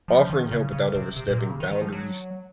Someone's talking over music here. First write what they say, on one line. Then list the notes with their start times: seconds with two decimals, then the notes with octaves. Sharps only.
offering help without overstepping boundaries,
0.08 F3
0.30 D#3
0.51 C#3
0.72 C#3
0.95 C3
1.17 C3
1.28 A#2
1.38 C3
1.49 C#3
1.60 D#3
1.71 D#3
1.82 F3
1.92 F#3